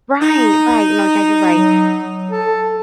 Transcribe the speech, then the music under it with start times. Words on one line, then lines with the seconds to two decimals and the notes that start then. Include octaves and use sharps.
Right, right, no, yeah, you're right,
0.21 D#4
1.53 F#3
2.32 A4